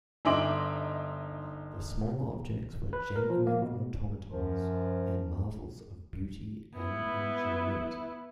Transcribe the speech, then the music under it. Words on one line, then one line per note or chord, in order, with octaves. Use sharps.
The smaller objects were genuine automatons, and marvels of beauty and ingenuity.
G1 D#4 E5 C6 D6 F#7
B4
A#4
F3
A#3
B2
F#2 F3
B3 E4